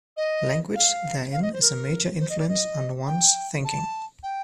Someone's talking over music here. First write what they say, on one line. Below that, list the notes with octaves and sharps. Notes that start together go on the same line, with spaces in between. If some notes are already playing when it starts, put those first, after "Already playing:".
Language therein is a major influence on ones thinking.
D#5
F5
F5
D#5
C5
A#4
C5
D#5
D5
D#5
G5
A5
G5